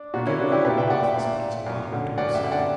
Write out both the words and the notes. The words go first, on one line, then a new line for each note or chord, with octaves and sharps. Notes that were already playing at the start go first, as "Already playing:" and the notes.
I give Millard an office but he's a law unto himself.
Already playing: D4
A#2 D4 F#4
C#4 E4
D4 F#4
E4 G4
A#2 G4 B4
E5 G5
D5 F#5
E5 G5
A#2
F#2
D3
F#2 D5 F#5
E5 G5
D3
D5 F#5